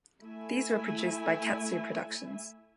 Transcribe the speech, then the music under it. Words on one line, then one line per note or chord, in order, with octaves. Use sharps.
These were produced by Katsu Productions.
A3 E4 E5 G#5